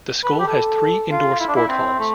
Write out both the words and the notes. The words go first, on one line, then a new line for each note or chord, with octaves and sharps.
The school has three indoor sport halls.
B4
A4
G4
A4
F4
E4
D4
E4
C4
A3